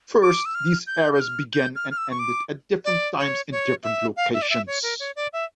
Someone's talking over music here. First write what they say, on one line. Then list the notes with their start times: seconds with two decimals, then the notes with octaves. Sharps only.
First, these eras began and ended at different times in different locations.
0.22 D6
0.45 E6
0.55 F6
0.87 G6
1.14 G6
1.20 F6
1.53 G6
1.76 F6
1.91 F6
1.97 E6
2.11 C#6
2.19 D6
2.85 D5
3.18 C#5
3.52 C#5
3.83 E5
4.16 F5
4.34 E5
4.42 D5
4.50 E5
4.67 C#5
4.83 A#4
5.00 C#5
5.16 D5
5.33 E5